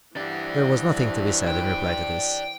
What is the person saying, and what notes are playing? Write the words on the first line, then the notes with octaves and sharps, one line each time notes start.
There was nothing to be said in reply to this.
E3 D4 G4 C5 D5 E5
G5